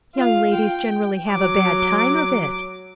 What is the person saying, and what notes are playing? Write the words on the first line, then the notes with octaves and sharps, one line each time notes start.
Young ladies generally have a bad time of it.
F4 F5
G5
F#3 D6